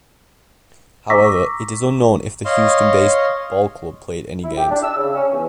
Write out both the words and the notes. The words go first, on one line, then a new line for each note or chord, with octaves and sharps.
However, it is unknown if the Houston Base Ball Club played any games.
A#5 C#6 D6 E6 A#6 B6
C#5 D#5 F5 C6
E4
G4
D4
E6
C#3
C#4
E2